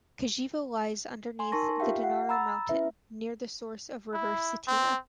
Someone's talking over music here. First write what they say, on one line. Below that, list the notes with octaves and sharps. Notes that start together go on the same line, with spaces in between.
Kijevo lies underneath the Dinara mountain, near the source of river Cetina.
G#5 C6
D#4 A#4 A5 C6 C#6 A#6
F4 G4 E5 F5 G5
F#5
A#5 B5 E6 A6
C#4 E4 B4 E5
E4
C4